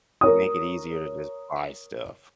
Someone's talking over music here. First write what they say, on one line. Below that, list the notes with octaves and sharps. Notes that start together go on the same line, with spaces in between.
they make it easier to just buy stuff.
A#4 C#5 D#6